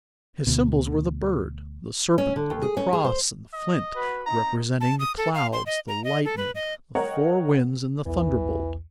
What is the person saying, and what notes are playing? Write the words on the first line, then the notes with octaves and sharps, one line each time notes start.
His symbols were the bird, the serpent, the cross, and the flint, representing the clouds, the lightning, the four winds, and the thunderbolt.
D2 B2
C#4
D3
D#2
G#4
C#4
G#4
C5
D#5
F#4 B4
C4 D#4 A#5
A5
D#6
A4
F5
C6
D#5
A#5
D#5
A4
B4
D#5
A#4 C#5 D#5 F#5 G5 A#5
B1 E2 E3